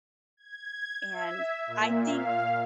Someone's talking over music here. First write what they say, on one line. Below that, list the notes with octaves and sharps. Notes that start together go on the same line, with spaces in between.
and I think
G#6
E5
A#2
F5